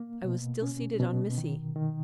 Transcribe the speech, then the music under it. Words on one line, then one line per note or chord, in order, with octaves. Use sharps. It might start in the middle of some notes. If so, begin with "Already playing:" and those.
I was still seated on Missy.
Already playing: A#3
B2
C#4
B2
D#3
D#3